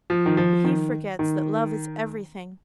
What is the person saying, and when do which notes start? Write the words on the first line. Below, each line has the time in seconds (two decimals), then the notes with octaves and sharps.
But he forgets that love is everything.
0.10 F3
0.26 D#3
0.37 F3
0.64 D#3
1.19 D#3